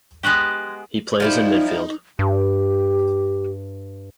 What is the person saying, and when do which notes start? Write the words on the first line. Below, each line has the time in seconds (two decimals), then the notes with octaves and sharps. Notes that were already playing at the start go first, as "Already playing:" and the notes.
He plays in midfield.
0.23 G#3 B3 F#4 G4
1.20 F3 G3 D#4 E4
2.19 G2 G4